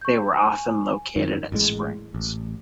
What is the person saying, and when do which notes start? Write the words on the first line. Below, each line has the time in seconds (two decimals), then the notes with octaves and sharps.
They were often located at springs.
0.01 C#6 G6
0.36 G#5
1.16 F#2 D#3
1.52 A1 A2 C#3 G#3
2.15 A1